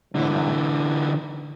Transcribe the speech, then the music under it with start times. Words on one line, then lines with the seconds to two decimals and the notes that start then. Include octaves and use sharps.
You know?
0.15 D3 E3